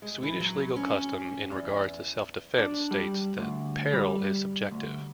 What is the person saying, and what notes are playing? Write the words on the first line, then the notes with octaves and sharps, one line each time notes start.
Swedish legal custom in regards to self-defense states that peril is subjective.
G#3
E3
F#3
C#4
E2
D4
G3
D2
G3
D2